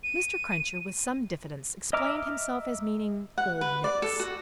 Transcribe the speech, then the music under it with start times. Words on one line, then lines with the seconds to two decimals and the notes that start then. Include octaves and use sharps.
Mr. Cruncher, with some diffidence, explained himself as meaning "Old Nick's."
0.03 D#7
1.93 D#5 E5 A#5 D6 F6
3.38 F#5
3.61 B4
3.84 D5
4.02 A4
4.20 F#4